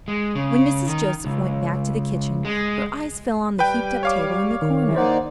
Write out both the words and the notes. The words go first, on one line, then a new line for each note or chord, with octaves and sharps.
When Mrs. Joseph went back to the kitchen her eyes fell on the heaped-up table in the corner.
G#3
C#3
D#3
C#2
G#3
G3 B4 G5
C#5 F5 D6
D#3
C#3 E3
A#3 D#4 C5 D5 F#5